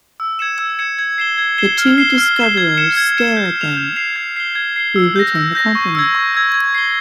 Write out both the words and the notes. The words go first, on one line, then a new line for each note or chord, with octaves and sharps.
The two discoverers stare at them, who return the compliment.
E6
G#6 C#7 E7
E6
G#6 C#7 E7
G#6
C7 E7 G7
G#6
C7 E7 G7
F6
C7 E7 G7
F6
C7 E7 G7
G#6
C#7 E7
G#6
C#7 E7
G6
C7 F7
G6
C7 F7
G#6
C7 G7
G#6
C7 G7
E6
G6 A#6
E6
G6 A#6
C#6
E6 G#6
C#6
E6 G#6
G#6
C7 G7